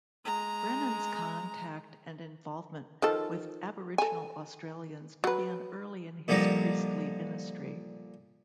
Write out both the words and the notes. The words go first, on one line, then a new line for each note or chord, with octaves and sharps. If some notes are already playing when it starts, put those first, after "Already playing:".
Brennan's contact and involvement with Aboriginal Australians began early in his priestly ministry.
G#3 A#5
D#3 F3 A4
A4 G#5
F#3 B4
A#2 D3 F3 G3 D#4